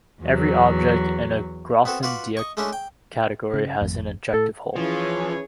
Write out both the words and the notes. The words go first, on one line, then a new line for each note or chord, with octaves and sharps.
Every object in a Grothendieck category has an injective hull.
E2 F#3
B3 C4 F#4 A4
F4 F#4 B4 D5
D#5 C#6
G#3 A3 C#4 D4 E4
G5
C#3
G#1 F2 A3
A2 A4
E3 F3 C#4 G#4 C#5